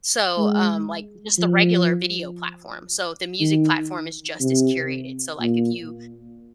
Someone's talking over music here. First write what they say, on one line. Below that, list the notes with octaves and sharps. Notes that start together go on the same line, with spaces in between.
so, um, like just the regular video platform. So, the music platform is just as curated. So, like, if you,
G#3
F3
D#3
C3
A#2